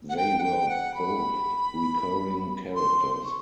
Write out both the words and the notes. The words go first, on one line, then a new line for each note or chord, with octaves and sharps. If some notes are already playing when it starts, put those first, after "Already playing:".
They were both recurring characters.
F#5
G5
F#5
G5
F#5
B5
C6
C6
C#6